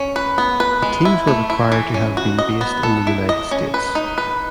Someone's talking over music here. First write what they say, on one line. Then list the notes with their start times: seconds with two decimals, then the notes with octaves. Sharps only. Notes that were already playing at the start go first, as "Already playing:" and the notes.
The teams were required to have been based in the United States.
Already playing: C#4
0.16 B4
0.38 B3
0.60 B4
0.82 G#3
1.05 E4
1.27 A3
1.50 E4
1.72 E3
1.94 C#4
2.17 F#4
2.39 D#5
2.61 B3
2.83 A4
3.07 E4
3.29 D#5
3.51 C#4
3.74 B4
3.95 D#4
4.18 B4